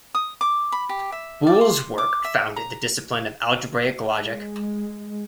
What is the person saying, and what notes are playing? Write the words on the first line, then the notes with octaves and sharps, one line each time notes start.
Boole's work founded the discipline of algebraic logic.
D#6
D6
B5
G4
E5
D5
C6
D6
E5
A#5
G#3